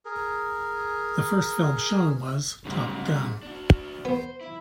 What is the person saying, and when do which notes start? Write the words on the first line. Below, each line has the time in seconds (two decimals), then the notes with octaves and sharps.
The first film shown was "Top Gun".
0.05 G#4 A#4
2.65 D2 G#2 C#3 F#3 G3
3.43 D4 F#4
4.05 B3 C5
4.41 E4